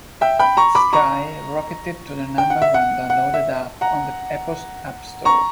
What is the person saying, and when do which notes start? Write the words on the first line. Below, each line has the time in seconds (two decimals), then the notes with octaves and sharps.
It sky rocketed to the number one downloaded app on the Apple app store.
0.21 E5 G5
0.39 G5 B5
0.57 A#5 C#6
0.75 B5 D6
0.93 A#5 C#6
2.38 G5
2.50 F#5
2.62 E5
2.74 F#5
3.10 F#5
3.34 E5
3.81 F#5 A#5
5.25 A#5 C#6